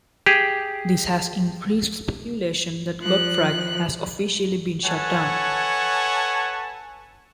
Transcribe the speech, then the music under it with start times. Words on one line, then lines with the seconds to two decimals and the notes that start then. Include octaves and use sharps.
This has increased speculation that Gotfrag has officially been shut down.
0.26 G4 G#4
3.01 F3 F#6
4.84 A4 B4 C#5 F#5 G#5 A5